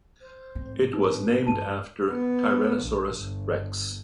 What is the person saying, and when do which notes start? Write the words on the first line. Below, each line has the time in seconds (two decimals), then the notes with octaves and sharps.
It was named after "Tyrannosaurus rex".
0.22 C5
0.55 A1 G#2 C4
0.94 D#4 B4
1.47 G2 A5 D#7
2.10 B3
2.83 A#1
3.16 G1